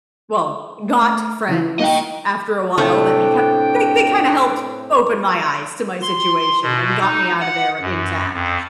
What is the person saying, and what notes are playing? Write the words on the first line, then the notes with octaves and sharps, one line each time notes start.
Well, got friends after a while that had ki they they kinda helped open my eyes to my situation and got me out of there intact.
A3
C#3 E3 E4
A#3 D#4 D#5 F#5 G5
A2 C3 A3 D4 G5
C6
B2
D#4
F#5
F#2
F2